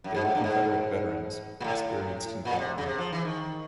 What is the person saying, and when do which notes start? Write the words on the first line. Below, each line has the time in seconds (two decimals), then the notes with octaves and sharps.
They were Confederate veterans, experienced and well armed.
0.04 F#2
0.15 G#2
0.25 A2
0.35 G2
0.44 G#2
1.60 A#2
1.64 A2
2.45 A#2
2.59 C3
2.78 C#3
2.86 C3
2.98 F3
3.12 E3
3.25 D#3